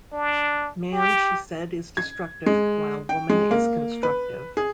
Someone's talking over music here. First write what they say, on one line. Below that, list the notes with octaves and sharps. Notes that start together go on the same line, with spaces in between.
Man, she said, is destructive, while woman is constructive'.
D4
G4
G#6
G#3
G5
G#3
A#3
B4
G#4